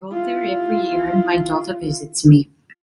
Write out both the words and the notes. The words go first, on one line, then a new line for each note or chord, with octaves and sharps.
I go there every year and my daughter visits me.
E4 F4